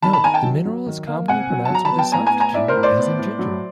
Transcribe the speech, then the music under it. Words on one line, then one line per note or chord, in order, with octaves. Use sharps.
Note: The mineral is commonly pronounced with a soft "g", as in "ginger".
D#3 A5 B5
A5 B5
D#3 G#5 A#5
G5 A5
F#3
F#3
D#3
A#3
C3 F#5 G#5
F#3
A5
F#3 A#5
A5 B5
B3
G5 A5
A2 G#5 A#5
G#5 A#5
B3
G#5 A#5
A2 D5 E5
A#4 C5
A2
C5 D5
B3
A2
F#3